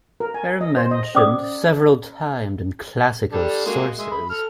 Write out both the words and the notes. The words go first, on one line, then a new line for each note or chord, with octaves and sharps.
They are mentioned several times in Classical sources.
A#4
G#5
D#5
C5
D#5
C#4 C5 D5 D6 D#6
G3 D4 A4
G#3 A#3 F#4
G#3 E5
B5
A4 F6